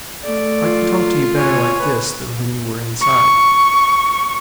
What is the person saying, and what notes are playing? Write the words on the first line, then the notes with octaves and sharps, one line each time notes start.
I can talk to you better like this than when you were inside...
A3 D5
F4
C#5 G#5
B4
C#6